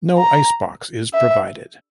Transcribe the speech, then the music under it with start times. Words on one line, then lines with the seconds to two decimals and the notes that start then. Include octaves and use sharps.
No icebox is provided.
0.18 A#5
1.14 E5